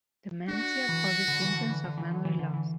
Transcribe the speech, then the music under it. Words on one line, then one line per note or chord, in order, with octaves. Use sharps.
Dementia causes symptoms of memory loss.
D4 F#4
E3
D3
E3
D3
E3
D3
E3
D3
E3
D3
E3